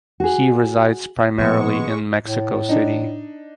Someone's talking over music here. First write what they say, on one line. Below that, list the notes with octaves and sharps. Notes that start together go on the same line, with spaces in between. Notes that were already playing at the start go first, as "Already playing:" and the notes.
He resides primarily in Mexico City.
F#4 G#4
A#2 F3 G#3 B3 C#6
A2
D4 D#4